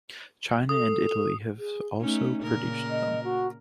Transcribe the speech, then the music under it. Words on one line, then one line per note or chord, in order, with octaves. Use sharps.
China and Italy have also produced them.
A4 D#6
G#4
A3 C#4 D#4
A#2 C#3 A#4
D#5
F#4